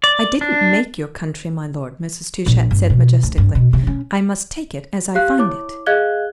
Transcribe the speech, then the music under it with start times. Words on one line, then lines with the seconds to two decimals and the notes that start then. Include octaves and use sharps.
"I didn't make your country, my lord," Mrs. Touchett said majestically. "I must take it as I find it."
0.04 D5
0.41 D4
2.46 A#1
2.71 G1
2.90 B2
3.23 D2
3.38 G2
3.55 B2
3.73 C3
3.87 C#4
5.15 G4 F5 F#6
5.38 E4 C#5 D6
5.86 G#4 D#5 F5 F#6 G#6 G7